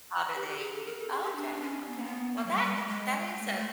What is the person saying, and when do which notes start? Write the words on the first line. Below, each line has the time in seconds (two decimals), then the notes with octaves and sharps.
how do they ge Okay, okay, well, that that is a
0.35 G4
0.48 G4
0.60 G#4
0.73 A4
0.85 A#4
0.99 A4
1.11 G#4
1.23 G4
1.36 D4
1.61 C#4
1.87 B3
1.96 A#3
2.05 B3
2.37 A#3
2.46 F#3
2.51 G3
2.63 G3
2.76 G#3
2.88 G#3
3.38 A3
3.47 G#3
3.56 A3